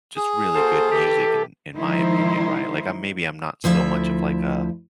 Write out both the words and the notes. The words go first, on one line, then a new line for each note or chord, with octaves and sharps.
just really good music in in my opinion, right, like, I'm maybe I'm not so much of, like, a
G#4
A#3 F#4 A4 C5
E3 G4
D#3 F3 G#3 D#4 E4 C5
D2 F3 E4 E5